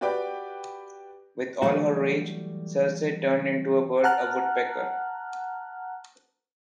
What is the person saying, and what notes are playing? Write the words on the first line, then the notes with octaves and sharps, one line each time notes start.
With all her rage, Circe turned into a bird, a woodpecker.
F#4 G4 B4 D5 G5
E3 F#3 G3 A3 F#4
F#5 A5 A#5 F6 F#6